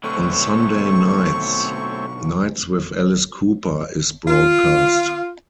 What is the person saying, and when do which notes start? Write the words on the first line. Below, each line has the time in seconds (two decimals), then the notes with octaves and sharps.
On Sunday nights, "Nights with Alice Cooper" is broadcast.
0.04 B1 D3 A3 C4 C#5 C#6
4.28 F4